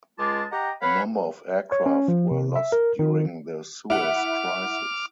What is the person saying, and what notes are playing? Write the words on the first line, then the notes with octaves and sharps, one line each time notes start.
A number of aircraft were lost during the Suez crisis.
C#2 G#3 F4 G#4 A5 D6
G4 D#5 F#5 G5 A#5
B4 C#5 F5 F#5 B5
C#5
C#4
F3
C3
E5
A#4
D#3
E4 F#5 D6 F6